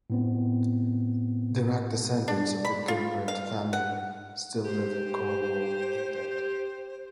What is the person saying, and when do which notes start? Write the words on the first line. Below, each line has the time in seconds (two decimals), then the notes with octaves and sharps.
Direct descendants of the Gilbert family still live in Cornwall, England.
0.10 A2 B3 C4
2.28 D4
2.65 B5
2.88 F4
3.28 F5
3.73 F#5
4.65 G4 C5